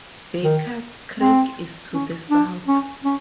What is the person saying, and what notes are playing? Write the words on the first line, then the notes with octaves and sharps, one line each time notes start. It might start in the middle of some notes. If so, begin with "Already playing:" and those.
Baker Creek is to the south.
D#3
C4
C#4
D4
C#4
C#4